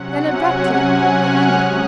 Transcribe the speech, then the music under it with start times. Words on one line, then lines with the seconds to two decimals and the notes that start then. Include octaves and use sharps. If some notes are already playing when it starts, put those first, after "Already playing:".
Then abruptly it ended.
Already playing: C3 F#3 C#4 F#5
0.23 G#5
0.67 F#6
1.11 F6
1.55 C#3 G#3 C#4 D#6